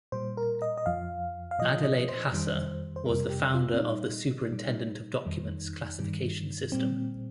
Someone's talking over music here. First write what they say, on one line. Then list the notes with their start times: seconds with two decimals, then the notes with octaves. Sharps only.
Adelaide Hasse was the founder of the Superintendent of Documents classification system.
0.12 A#2 G3 C5
0.37 A#4
0.62 D#5
0.77 D#5
0.86 F2 F3 F5
1.51 F5
1.59 A#2 F3 D#5
1.83 D#5
2.09 C5
2.32 F2 D#3 G3
2.96 C5
3.06 F2 C3 G3 A#4
3.30 G4
3.54 F4
3.74 C4
3.79 A#2 G3 D#4
4.51 A#2 G3
5.25 F2 D#3 G3
5.99 G2 D#3 G3
6.72 A#2 G3 C4